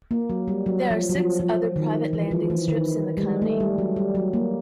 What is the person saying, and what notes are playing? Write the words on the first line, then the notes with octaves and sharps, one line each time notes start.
There are six other private landing strips in the county.
A#3
F#3
G3
F#3
F3
F#3
F3
F3
D#3
E3
F3
E3
D#3
G3
G#3
A3
G3
F#3
G3
F#3
A#3